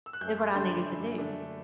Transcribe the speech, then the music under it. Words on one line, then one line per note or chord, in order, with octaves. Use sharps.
did what I needed to do.
E6
F#6
F#2 G6
C6
D3 A3 D4 C6
B5
F#2
D3 A3 D4